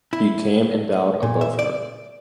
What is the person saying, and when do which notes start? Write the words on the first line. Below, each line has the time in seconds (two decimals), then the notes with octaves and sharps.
He came and bowed above her.
0.13 E4
1.23 A#2
1.41 E5
1.59 D5